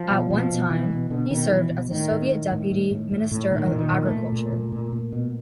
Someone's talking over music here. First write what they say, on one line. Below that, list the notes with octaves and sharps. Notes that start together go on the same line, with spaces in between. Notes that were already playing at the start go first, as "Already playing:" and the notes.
At one time, he served as the Soviet Deputy Minister of Agriculture.
Already playing: F3
B2
B2 F3
B2
B2 E3
B2
B2 D3
B2 D#3
B2 E3
B2
A2 D#3
A2
A2
A2
A2
A2
A2
A2
A#2 D#3
A#2 E3
D#3
A#2
A3
A#2
A#2
A#2
A#2
A#2
B2